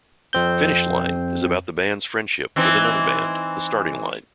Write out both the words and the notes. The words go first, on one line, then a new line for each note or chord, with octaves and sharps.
"Finish Line" is about the band's friendship with another band, The Starting Line.
F2 C4 G6
E3 C4 D#4